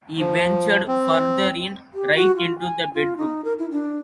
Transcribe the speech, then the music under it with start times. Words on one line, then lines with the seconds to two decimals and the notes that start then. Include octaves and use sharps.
He ventured further in — right into the bedroom.
0.19 F3
0.87 C4
1.94 G4
2.15 F#4
2.37 F4
2.59 G#5
2.94 F4
3.17 D#4
3.45 A#4
3.59 E4
3.71 D4